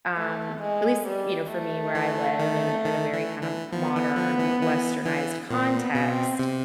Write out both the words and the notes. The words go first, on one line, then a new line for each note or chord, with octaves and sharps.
um, at least, you know, for me where I live in in a very kind of modern, westernized context,
A3
G#3
G3
A3
E3
D#3
D#3
E3
E3
F3 B3
E3
F3
E3
E3
E3
A#2 C4
B3
B2
C4
C3